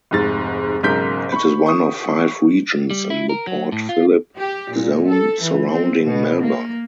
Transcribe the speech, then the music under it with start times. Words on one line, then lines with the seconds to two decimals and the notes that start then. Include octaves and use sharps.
It is one of five regions in the Port Philip zone surrounding Melbourne.
0.11 F1 G#2 A6
0.83 B1 G#2 C#3 A#4 G6 B6
1.32 B5 C#6
1.66 C#6 D#6
2.90 G3
3.10 E4
3.29 A#4
3.47 F#3
3.72 A2
3.89 F4
4.38 G4
4.75 A#2
5.10 A4
5.42 E3
5.72 C4
6.04 B2
6.43 A#3